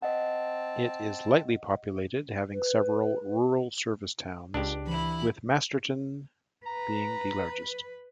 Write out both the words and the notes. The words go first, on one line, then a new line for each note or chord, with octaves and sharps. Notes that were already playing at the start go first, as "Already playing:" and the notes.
It is lightly populated, having several rural service towns, with Masterton being the largest.
C4 D#5 F#5 A5
B4
C#2 D4 G4
E3 E4 B5
B4 A#5